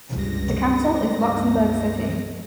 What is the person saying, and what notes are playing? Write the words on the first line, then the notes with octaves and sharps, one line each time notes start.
The capital is Luxembourg City.
C#2 G2 A#6